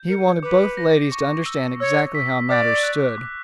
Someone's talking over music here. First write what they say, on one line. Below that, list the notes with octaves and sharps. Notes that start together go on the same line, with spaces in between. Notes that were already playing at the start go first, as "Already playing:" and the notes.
He wanted both ladies to understand exactly how matters stood.
Already playing: G6
A#4 C#7
C#5
B4 D6
A#6
C#6
E6
C#5 E6
B6
D5 D6
F#6
D6